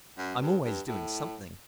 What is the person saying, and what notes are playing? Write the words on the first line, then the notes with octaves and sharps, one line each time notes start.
I'm always doing something.
F#2
G2
G2
A2